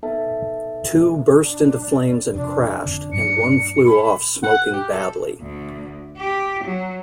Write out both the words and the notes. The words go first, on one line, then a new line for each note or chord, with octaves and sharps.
Two burst into flames and crashed, and one flew off smoking badly.
B3 D#4 A4 E5 A5
D4
D5
F2 C3 D4
F2 D3 C4 D4
G2 F#3 A3 C#7
B5
F#5
G4
A4
D2
G4
F#3